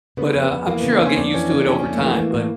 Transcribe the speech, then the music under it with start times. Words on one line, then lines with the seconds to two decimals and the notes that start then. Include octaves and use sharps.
but, uh, I'm sure I'll get used to it over time, but
0.17 C#3 B3
0.35 F2
0.43 B3
0.51 F2
0.67 E3 A#3
0.80 C#3 B3
0.92 C4
1.01 F2 C#4
1.17 F2 D4
1.34 E3 C#4
1.51 C#3 C#4
1.67 F2 C#4
1.80 C#4
1.84 F2
1.93 A3
2.01 E3 A#3
2.17 E3
2.34 A2